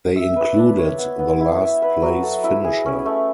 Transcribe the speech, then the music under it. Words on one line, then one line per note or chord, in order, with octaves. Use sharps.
They included the last place finisher.
E5
B4
D4
C#5
B3
B3
E4
E5
B4
F#3
A4
E4
G#4
C#4
A3